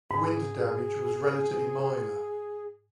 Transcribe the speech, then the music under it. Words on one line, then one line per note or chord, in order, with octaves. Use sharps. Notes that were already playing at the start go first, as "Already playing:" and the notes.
Wind damage was relatively minor.
G#2 G#4